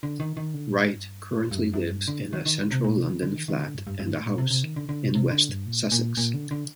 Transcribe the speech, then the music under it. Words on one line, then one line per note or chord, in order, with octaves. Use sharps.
Wright currently lives in a central London flat and a house in West Sussex.
D3
D#3
D#3
D3
A#2
A2
G2
G2
F#2
F#2
G2
D3
D#3
D#3
D3
C3
A#2
C3
D#3
D3
D#3
D#3
D3
G2
G2
G2
A2
A#2
C3
C3
D#3
D3
D3
C3
C3
D3
G2
A#2
A#2
A#2
D3
D3